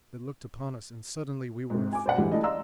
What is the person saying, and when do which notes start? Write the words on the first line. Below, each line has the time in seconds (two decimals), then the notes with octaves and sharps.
But they looked upon us, and suddenly we were afraid.
1.70 G#2 C3
1.93 G#5 D6
2.06 C5 D5 F#5
2.18 D2 G2 E3 G#3 E4 G4
2.32 A3 E4 D5 D#5
2.43 D5 D#5 F5 A#5 C6 E6